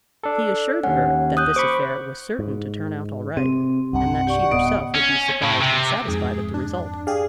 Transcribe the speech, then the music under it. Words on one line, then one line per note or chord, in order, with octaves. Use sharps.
He assured her that this affair was certain to turn out all right, and that she herself would be surprised and satisfied at the result.
D4 A4
D#2 C#4 F#5
D#6 F#6 G6
C5 B5 C#6 D6
G#2
C3 C4
C2 G2 F#5
G4 D5 C#6
D1 B3 D#5 D#6
C#4
A2
C3
F2 G#2 G#4
D4
G4 G#4 D5 F5